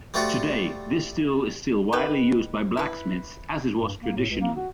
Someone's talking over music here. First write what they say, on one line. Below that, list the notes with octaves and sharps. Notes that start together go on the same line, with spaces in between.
Today, this tool is still widely used by blacksmiths as it was traditionally.
G3 A3 C4 F4 F#4
D#3 G4 B4
E4 B4
G2
A#3
A2
C#2
A#3
F#4